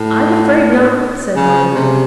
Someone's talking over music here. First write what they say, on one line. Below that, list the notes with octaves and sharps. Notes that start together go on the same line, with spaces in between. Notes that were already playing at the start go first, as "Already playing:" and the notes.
'I'm afraid not,' said Margaret.
Already playing: A2
C#3
C3